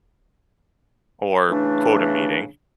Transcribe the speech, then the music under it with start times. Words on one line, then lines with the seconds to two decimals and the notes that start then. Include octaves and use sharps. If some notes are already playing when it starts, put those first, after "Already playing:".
or quota meeting.
1.50 C#3 E3 A3 D4